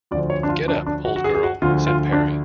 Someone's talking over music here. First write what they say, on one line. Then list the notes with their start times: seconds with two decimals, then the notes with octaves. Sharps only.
"Get up, old girl," said Parry.
0.11 D2 D3 F3 D5
0.30 C#5
0.43 D4
0.49 F4
0.68 D4
0.86 D4
1.05 F#4
1.16 F#4
1.24 G#4
1.35 G#4
1.43 F#4
1.62 D2 D3 F3 F4
1.86 F4
2.13 D4